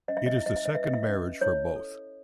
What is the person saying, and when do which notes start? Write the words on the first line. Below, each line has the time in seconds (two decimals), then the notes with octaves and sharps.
It is the second marriage for both.
0.08 C#4 D#5
0.17 E5
0.26 D#5
0.36 E5
0.42 E4 D#5
0.56 E5
0.65 D#5
0.75 B4 E5
0.84 D#5
0.93 E5
1.03 D#5
1.09 C#4
1.41 E4 C#5
1.76 A4